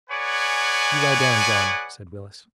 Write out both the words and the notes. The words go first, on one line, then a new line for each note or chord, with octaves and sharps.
"You lie down, John," said Willis.
G#4 B4 C#5 D5 F#5 G#5